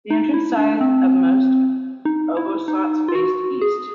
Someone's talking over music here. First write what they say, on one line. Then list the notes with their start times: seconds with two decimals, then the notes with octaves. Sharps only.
The entrance side of most ubosots face east.
0.10 D#4
0.34 E4
0.57 D4
0.81 C4
2.05 D#4
2.37 E4
2.68 D#4
3.08 F4
3.15 F#4
3.61 G#4